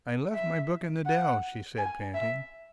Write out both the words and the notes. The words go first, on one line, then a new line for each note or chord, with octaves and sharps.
"I left my book in the dell," she said, panting.
E5
F#5
G#5
E5